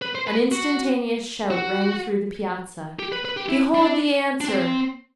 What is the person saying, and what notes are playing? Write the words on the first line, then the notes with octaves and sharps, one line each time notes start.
An instantaneous shout rang through the Piazza, "Behold the answer!"
B4
C5
B4
F#4
F#4
G4
B4
B4
G4
E4
D4
D4
C4